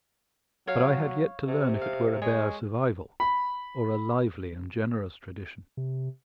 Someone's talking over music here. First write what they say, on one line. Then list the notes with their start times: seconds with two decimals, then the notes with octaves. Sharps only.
But I had yet to learn if it were a bare survival, or a lively and generous tradition.
0.67 F#3 C#5 F5
1.47 C3
1.81 F5
2.22 G#3 C#5
3.20 B5
5.77 C3